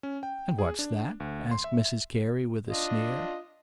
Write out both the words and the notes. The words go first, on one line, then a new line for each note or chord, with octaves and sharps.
"And what's that?" asked Mrs Carey with a sneer.
C#4
G5
G#4
D4
D2
C6
E5
D4 F4 D#5